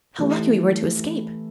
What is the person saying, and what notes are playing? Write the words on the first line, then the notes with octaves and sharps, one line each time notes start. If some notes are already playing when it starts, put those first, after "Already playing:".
How lucky we were to escape!'
E3 A3 E4 G4